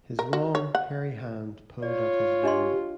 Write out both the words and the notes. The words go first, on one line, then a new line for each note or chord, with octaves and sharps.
His long hairy hand pulled at his lower lip.
A#4
F#4
C#5
F#5
F4 C#5 D5
D4 G4 D#5 C6